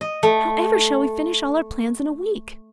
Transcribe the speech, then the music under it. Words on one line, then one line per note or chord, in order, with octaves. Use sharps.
However shall we finish all our plans in a week?
D#5
A3